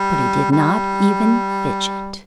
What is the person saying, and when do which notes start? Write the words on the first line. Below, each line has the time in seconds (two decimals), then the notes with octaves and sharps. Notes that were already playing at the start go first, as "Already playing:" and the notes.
But he did not even fidget.
Already playing: G3
0.52 G3